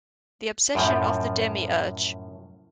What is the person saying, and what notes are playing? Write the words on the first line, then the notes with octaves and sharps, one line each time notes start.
The Obsession of the Demiurge.
F#2 A2 F3